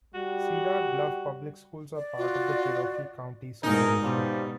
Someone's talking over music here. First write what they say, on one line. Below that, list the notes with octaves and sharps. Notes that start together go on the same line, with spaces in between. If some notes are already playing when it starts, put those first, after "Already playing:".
Cedar Bluff Public Schools are part of the Cherokee County School District.
G3 F#4
D5
F4 F#4
D2 G#2 B2 D#4 G#4 A#4
B2 F3 G3